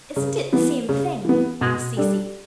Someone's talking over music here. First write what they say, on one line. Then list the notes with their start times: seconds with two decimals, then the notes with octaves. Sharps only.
"Isn't it the same thing?" asked Cecy.
0.16 C#3
0.53 E3 B3
0.89 C#3
1.25 E3 B3
1.61 B2
1.97 G3 D4 A4